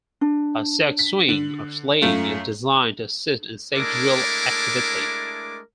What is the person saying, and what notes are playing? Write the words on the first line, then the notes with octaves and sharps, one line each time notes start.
A sex swing or sling is designed to assist in sexual activity.
D4
B6
D3 F#7
F#2 A3 F4
G#3 A3 D4 E4 A#4 D6